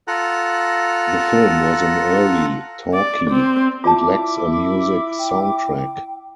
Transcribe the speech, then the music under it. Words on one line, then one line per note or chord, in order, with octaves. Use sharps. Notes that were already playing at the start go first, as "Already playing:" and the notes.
The film was an early "talkie" and lacks a music soundtrack.
F4 A4 F#5 A#5
D5
C4
E4 F4 D5 A5 D6
G5